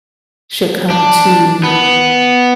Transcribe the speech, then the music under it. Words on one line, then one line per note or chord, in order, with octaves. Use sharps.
should come to
D4
B3